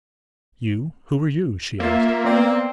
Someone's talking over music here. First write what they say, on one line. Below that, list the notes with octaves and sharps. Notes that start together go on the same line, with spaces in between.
'You--who are you?' she asked.
A#3 F4 E5
B3 C4 D5